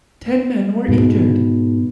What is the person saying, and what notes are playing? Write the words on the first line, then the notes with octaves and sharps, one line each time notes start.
Ten men were injured.
G#2 B2 G#3